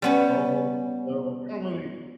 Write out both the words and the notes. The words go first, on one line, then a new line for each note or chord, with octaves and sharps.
Um, so, I don't really
G3 B3 C#4